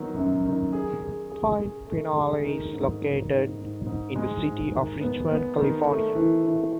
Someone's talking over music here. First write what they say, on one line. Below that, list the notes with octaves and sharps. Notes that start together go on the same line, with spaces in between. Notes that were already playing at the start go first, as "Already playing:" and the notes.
Point Pinole is located in the city of Richmond, California.
Already playing: D#3 F#3 B3
F#2
D#3
G#4
G#4
G#4
G#4
A3
G#4
D#3
G#2
D#3
G#2
G#2
G#2
G#3
G#2
D#3
B3
B3
D#3
A3
E3
E3